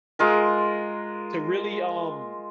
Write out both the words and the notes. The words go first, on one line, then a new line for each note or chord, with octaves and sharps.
to really, um,
G#3 F4 A#4